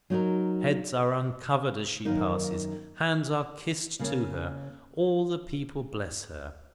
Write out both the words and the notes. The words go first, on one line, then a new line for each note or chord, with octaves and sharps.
Heads are uncovered as she passes, hands are kissed to her, all the people bless her.
F#3 D#4 F#4 A#4
F#2 D#3 A#3 D#4 A#4
C#3 A#3 C#4